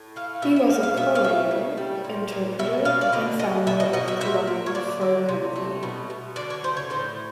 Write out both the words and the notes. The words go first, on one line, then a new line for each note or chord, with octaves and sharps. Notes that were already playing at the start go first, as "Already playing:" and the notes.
He was a courier, interpreter, and founder of the Columbia Fur Company.
Already playing: A2
A3 F5
B2 E5
E5
B2 F5
F5
B2 E5
F5
A3 E5
C#3
G3
A#2
A#2
B2 E5
B2 F5
D5
D3 D#5
D3 D#5
B2 E5
D#5
B2 D#5
E5
A#2 E5
A#2
C#5
D3 D5
D3
C3
A3
B2
B2
D3 D5
C#5
A3 C5
C#5
A2 C5